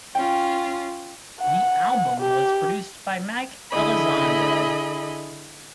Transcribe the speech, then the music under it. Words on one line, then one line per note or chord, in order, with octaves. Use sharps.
The album was produced by Mike Elizondo.
C#4 F4 G5
F#5
G4
D3 E4 G#4 D#5 B5